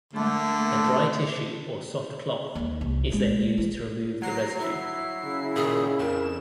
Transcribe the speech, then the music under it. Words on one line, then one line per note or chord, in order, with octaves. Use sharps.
A dry tissue or soft cloth is then used to remove the residue.
D3 A3 A#3
D#2 A#3
C2
A#1 G#3
E3
F#3 A#5 C7
E4
C#3
A#2 D#3 G#4
F2 A#4 E7